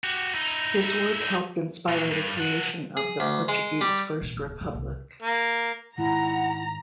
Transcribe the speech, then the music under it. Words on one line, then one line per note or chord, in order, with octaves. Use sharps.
His work helped inspire the creation of the Portuguese First Republic.
F#4 G4
D#4 E4
A#2 F#3
G2
F3 F#5
G#4
D2
G#3
G3
B2 E3
D#1 D2
D#1 A#1
C2
A#3
G#2 D#3 E4 F#5 A#5